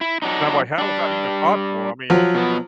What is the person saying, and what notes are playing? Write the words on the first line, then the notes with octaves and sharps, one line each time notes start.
And I'm like, "How is that even possible?" I mean,
E4
F#3 D4 D#4
G3 D4
F3 F#3
B2 B3